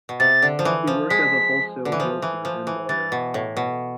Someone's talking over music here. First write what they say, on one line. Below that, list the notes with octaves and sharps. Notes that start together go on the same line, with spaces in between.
He worked as a wholesale grocer and lawyer.
B2
C3 A6
D3
F3
E3
F3
G#3 B6
D3
E3
F3
E3
F3
E3
E3 A6
B2
A2
B2